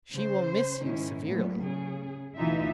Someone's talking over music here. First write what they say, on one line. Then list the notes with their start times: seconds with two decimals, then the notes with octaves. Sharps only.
"She will miss you severely."
0.13 C#3 C5
0.80 G#2 D#3 C#4 E4
1.25 A#2 F#3 A3 B3
1.61 C#3 G#4
2.35 D2 B2 E3 D#4 F4 E5